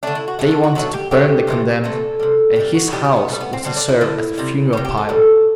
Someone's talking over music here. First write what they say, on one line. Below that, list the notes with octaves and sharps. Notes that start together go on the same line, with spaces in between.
They wanted to burn the condemned, and his house was to serve as a funeral pile.
D3 A3 D4
E4
F#4
D3 A3 G4
A4
F#4
B2 F#3 A3 F#4
G4
B2 F#3 A3 G4
C3 E3 A3
C3 E3 A3 A4
C3 G3
C3 G3 G4
F#4
B2 G3 G4
G4
B3
B2 G3 A3
B3
C4
D3 G3 C4
D4
E4
D3 G3
C3 G3
C3 G3 G4
G4
A4
A2 G3